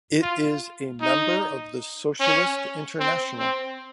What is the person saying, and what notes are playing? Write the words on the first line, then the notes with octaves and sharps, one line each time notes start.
It is a member of the Socialist International.
F4
D#4
C#4
C4
C4